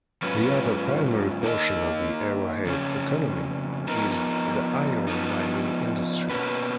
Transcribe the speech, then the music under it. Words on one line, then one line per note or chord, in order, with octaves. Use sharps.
The other primary portion of the Arrowhead economy is the iron mining industry.
G#2 F#3 C#4 F4 B4
A#3 D#4 A#4 D#5
F2 C#3 F#3 C#4
F3 B3 D#4 A#4
F3 B3 D#4
B2 A#3 C#4 F#4 B4